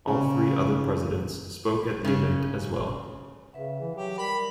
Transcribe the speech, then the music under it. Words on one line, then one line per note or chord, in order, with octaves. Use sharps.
All three other presidents spoke at the event as well.
C#3
C#3 C#4
C#3 B4 E5 F#5
E3
F#3 G4
G3 A#4 B5